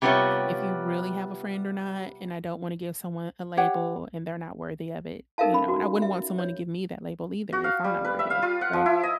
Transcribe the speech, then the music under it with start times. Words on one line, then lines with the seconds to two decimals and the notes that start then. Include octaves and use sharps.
if you really have a friend or not, and I don't wanna give someone a label and they're not worthy of it, you know? And I wouldn't want someone to give me that label either if I'm not worthy of So,
0.02 C3 G3 B3 C#4 F4 C#5
3.57 G4 C#5 F#5 G5
5.38 D#4 A4 A#4 E5 F5 A5
5.53 C#4 B5
5.68 F#4
6.02 E5
6.38 C#5
7.53 F#4
7.64 F5
7.84 G3
8.05 B4
8.19 E5
8.30 F5
8.42 F4
8.61 F#5
8.73 F3
8.86 E4
9.03 D#5